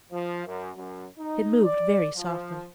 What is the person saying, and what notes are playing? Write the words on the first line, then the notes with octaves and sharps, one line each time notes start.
It moved very softly.
F3
F#2
F#2
D#4
D5
F3